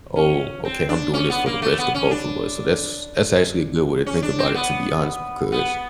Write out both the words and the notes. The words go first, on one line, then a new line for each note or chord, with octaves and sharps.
"Oh, okay, I'm doing this for the best of both of us," so that's that's actually a good way to think about it to be honest, because
C#4
C4
D4
C#4
B3
A#3
A3
B3
C#4
D4
C#4
D4
C4
B3
B3